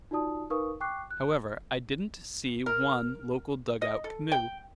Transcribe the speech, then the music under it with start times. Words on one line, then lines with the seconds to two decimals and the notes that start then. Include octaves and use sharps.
However, I didn't see one local dugout canoe.
0.11 D#4 F4 F#4 D5 A5 D#6
0.50 D#4 A#4 B4 F5 C#6 D#6
0.80 G5 C#6 D6 F#6 C7
1.11 F#6
2.66 A#4
3.82 D#5
4.04 A4
4.32 G5